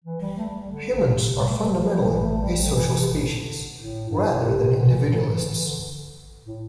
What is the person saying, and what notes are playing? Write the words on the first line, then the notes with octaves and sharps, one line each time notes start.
Humans are fundamentally a social species, rather than individualists.
E3
G3
A3
G3
G3
D3
C3
G3
A3
G3
A3
E3
G3
E3
A3
G3
D3
E3
C3
D3
A2
G2
A2
C3
D3
E3
D3
E3
D3
E3
D3
E3
D3
A2